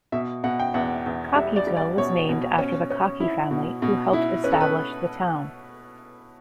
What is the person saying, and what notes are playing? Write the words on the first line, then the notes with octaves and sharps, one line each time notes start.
Cockeysville was named after the Cockey family who helped establish the town.
B2 E5
B2 F#5
G5
E2 F#5
E2
G3 E5
D5
G3
D5
B2 C#5
B2
C#4
C#4
E4
B2
B2
E4
C#4 B4
A4
B4